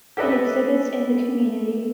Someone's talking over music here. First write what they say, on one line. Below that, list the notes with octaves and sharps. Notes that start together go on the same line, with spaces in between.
It exhibits in the community.
G4 A4 B4 D#5 E5